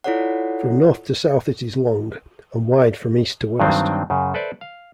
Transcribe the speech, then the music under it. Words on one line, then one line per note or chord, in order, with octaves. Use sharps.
From north to south it is long, and wide from east to west.
E4 F4 A4 C#5 D5 F#5
G2 D#3 F#3 C4 D4
F#2 C#3
A4 B4 C5 D5 E5
F5